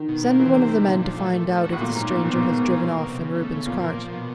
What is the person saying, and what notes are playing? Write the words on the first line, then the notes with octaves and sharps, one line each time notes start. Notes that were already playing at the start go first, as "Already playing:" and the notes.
"Send one of the men to find out if the stranger has driven off in Reuben's cart."
Already playing: D#3
B2
A#3
E3 C4
C3 C4
G3
A#2 D3
F3
A3
A3
A3
F#4
A2
A#2 F#3
G#2 F#3
A#2 F#3
B2 C4
G#3
B2
G#3
F3
A#3
C3
C#3
A3
C#3
A#2 F3
A#3
F3
B2